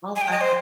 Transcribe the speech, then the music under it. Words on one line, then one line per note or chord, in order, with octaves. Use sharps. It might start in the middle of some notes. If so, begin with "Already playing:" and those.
Oh, wow.
G#5
G5
D#5
C5